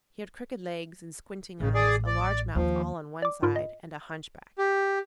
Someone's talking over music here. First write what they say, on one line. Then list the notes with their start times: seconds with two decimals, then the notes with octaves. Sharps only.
He had crooked legs and squinting eyes, a large mouth all on one side, and a hunchback.
1.60 A1 C#3
1.74 G#4 D5
2.07 D5
2.55 D#2 F3
3.22 D5 D6
3.43 G#2 F4 A#4 B5
3.56 D#5
4.58 G4